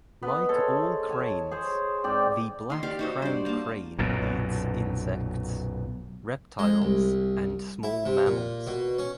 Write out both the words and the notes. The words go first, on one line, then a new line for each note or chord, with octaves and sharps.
Like all cranes, the black crowned crane eats insects, reptiles, and small mammals.
B3 B4 D#5
G#4 A4 C5 C#5
C#5 G#5 A5
G#4 C5 C#5
G#2 C4 D5 G5
D#3 C6
G4 D5 F5
D#4 F#4 C5
G2 C5 D5
A#3 A5
B1 F#2 A#2
G#3
C2
E4
C3
A#2
B2
C#4